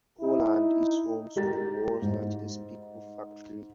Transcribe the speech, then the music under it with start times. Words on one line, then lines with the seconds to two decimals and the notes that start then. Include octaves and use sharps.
Holland is home to the world's largest pickle factory.
0.21 D#4 E4
1.36 G#3 G4 A#5 A6
2.02 G#2